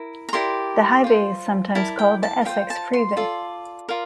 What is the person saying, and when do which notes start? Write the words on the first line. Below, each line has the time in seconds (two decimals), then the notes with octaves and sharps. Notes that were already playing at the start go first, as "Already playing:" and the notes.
The highway is sometimes called the Essex Freeway.
Already playing: E4 A#4
0.29 A#5
0.33 E4 G4 A#4 D5 C6
1.04 F4 C5
1.75 E4 A#4 D5 A5
1.99 G5
2.23 A5
2.45 F4 C5 G5
2.70 A5
2.93 C6
3.17 F4 A4 D5
3.89 F4 A#4 D5